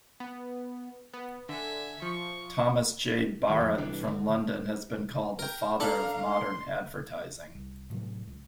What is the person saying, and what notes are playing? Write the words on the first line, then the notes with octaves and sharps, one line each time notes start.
Thomas J. Barratt from London has been called "the father of modern advertising".
B3
B3
D3 E5 G#5
F3 C#6
G2 D#3
F2
G1 C2 E3 D4
D3
A#4 G5
D4 A4 F5 A#5 B5
C6
C2
A2 C3 D#3 F#3
C#2